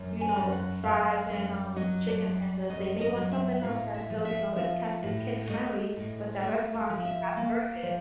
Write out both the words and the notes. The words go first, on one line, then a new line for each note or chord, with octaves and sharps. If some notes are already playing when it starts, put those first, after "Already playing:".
you know, fries and, um, chicken tenders. They may want something else that's still, you know, is kin is kid friendly, but that restaurant may not serve it.
Already playing: F#2
G#5
F#2
F#5
F#2 F5
F#2
F#3 D#5
D5
F#2
F#2 D#5
D#5
F#3
E5
A2 F5
E5
F3
E5
F3 E5
A2
A3 D#5
A2
A3 E5
F5
F3
E5
A#3
F3